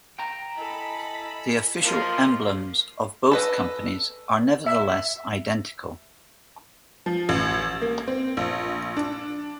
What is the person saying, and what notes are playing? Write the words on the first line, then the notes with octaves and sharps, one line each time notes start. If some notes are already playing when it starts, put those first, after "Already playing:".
The official emblems of both companies are nevertheless identical.
G5 A#5
E4 A4 D#5 G#5 B5
F3 A#3 F4 A#4 D#5 F5 A5
A4 B4 D#5
E5
F3
A1
A#3
C4
A#1
D4